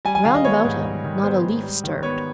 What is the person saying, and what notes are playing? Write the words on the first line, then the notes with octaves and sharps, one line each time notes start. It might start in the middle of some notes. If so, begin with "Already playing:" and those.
Round about him, not a leaf stirred.
G3 G#5
G#5
D#3 F5
D#5
B3 C#5
G#2
G3
D#3
B3 C5
G#2
G3
D#3
B3 C#5